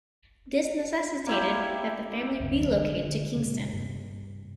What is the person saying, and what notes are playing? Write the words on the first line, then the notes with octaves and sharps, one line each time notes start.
This necessitated that the family relocate to Kingston.
A#3 E4 G4
D2 G2 C#3
B1 E2 D3 F#3
D3
D#1 A#2 C#3 G#3
G2 C3